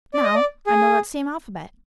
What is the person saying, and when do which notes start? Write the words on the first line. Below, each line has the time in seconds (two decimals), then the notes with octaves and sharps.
Now, I know that same alphabet.
0.14 D5
0.24 D#5
0.35 D5
0.67 G#4